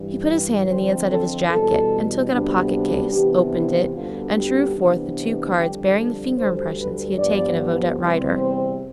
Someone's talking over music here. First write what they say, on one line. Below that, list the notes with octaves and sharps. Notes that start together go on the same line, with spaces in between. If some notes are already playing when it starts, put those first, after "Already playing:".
He put his hand in the inside of his jacket and took out a pocket case, opened it, and drew forth the two cards bearing the finger impressions he had taken of Odette Rider.
Already playing: G2 E3 G3
G4
F2 D3 F3 C4 C5
A4
E2 B2 G3 A4
D2 C3 G3 B3 D4
C3 E3 B3 D4 G4
E4
D2 D3 G3 B3 D4 F4
G4
C3 E3 B3 D4
F2 D3 G3 D4 G4
A4
D2 D3 G3 C5
B4
G2 F3 B3 D5
E2 C3 G3 C4
C5